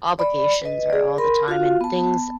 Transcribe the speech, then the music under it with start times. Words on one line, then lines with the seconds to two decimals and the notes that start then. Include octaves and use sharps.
Obligations are all the time, and things
0.19 D5 B5
0.62 B4 D#5
0.90 G#4 D5
1.18 A#4 B5 C6
1.48 F4 F#4 F5
1.81 B3 A5